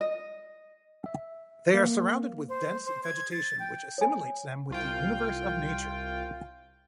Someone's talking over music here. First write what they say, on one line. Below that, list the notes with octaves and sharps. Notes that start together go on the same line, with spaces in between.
They are surrounded with dense vegetation which assimilates them with the universe of nature.
D#5
E5
A#3
C5
C5
G#6
A6
G5
C#5 G#5
C2 F4 G5